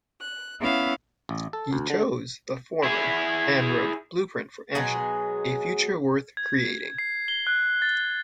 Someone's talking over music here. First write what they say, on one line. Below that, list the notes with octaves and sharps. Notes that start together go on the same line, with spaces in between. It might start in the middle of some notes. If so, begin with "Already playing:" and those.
He chose the former, and wrote Blueprint for Action: A Future Worth Creating.
F#6
B3 C#4 E4 E5 F5
A1
A4
D2
D3
E4 G#4
B2 F#3 G#3 G#4
G#6
C7
G7
F#6
A6